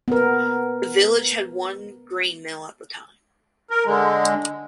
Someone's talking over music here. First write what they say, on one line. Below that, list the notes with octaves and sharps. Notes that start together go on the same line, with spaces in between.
The village had one grain mill at the time.
B3 A#4
A#4
D3 G#3